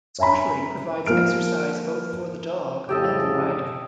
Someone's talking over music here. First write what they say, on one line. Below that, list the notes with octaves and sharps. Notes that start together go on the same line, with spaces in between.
Scootering provides exercise both for the dog and the rider.
C#5 E5 G#5 A#5 B5
F3 A#3 A#4 F6 D7
F2 A2 C#3 G4 A4 D#5